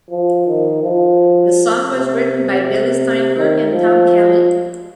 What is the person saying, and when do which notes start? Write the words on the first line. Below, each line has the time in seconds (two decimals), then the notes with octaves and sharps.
The song was written by Billy Steinberg and Tom Kelly.
0.10 F3
0.47 D#3
0.83 F3
1.91 C3
2.63 C3
3.36 D#3
3.72 F3